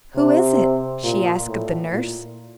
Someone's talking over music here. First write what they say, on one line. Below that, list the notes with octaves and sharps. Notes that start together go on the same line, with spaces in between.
"Who is it?" she asked of the nurse.
C3
A#2
A2
A#2